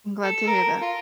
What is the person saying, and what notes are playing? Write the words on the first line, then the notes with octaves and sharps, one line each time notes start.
I'm glad to hear that.
A4
A#4
F4